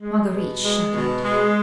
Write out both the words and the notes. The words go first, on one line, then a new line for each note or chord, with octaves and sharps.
Marguerite shuddered.
G#3
B2
G#3
B2
G#3